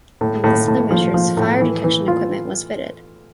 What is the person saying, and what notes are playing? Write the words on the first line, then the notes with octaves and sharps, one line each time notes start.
Amongst other measures fire detection equipment was fitted.
A2
A2
A2
F3
F3
A2
E3
E3
F4